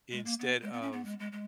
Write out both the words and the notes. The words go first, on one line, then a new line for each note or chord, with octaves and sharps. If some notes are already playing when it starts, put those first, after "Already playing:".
instead of,
G#3
A#3
B3
G#3
B3
C#4
B3
G#3
G#3
G#3